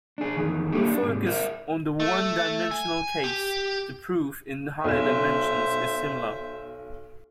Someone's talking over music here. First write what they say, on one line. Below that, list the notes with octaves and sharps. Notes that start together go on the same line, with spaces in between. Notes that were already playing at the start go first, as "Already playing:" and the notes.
We'll focus on the one-dimensional case, the proof in higher dimensions is similar.
D4 G#4
F2 D#3 E3
F#3 A#3 D4 E4 G4 A4
D4
G#2 C3
A#4 C5 E5
A3
G#5
G4
B1 C5 E5 E7